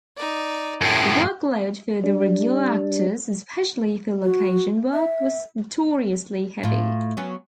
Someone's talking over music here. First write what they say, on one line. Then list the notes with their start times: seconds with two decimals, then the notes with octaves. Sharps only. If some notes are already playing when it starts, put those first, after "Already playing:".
The workload for the regular actors, especially for location work, was notoriously heavy.
0.16 D#4 D5
0.81 F#2 A2 G#4 C6
2.04 G3 D4
4.24 F#4
4.93 E5
6.63 A2 F4
7.17 F#3 B3 C#4